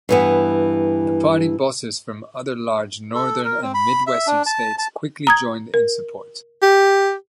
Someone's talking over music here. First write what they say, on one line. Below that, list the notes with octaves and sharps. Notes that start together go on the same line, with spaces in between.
The party bosses from other large Northern and Midwestern states quickly joined in support.
G2 E3 B3
A4
A#4
C4
B5
E5
D4
A5
A5
A#5 D#6 G#6
A#4
G4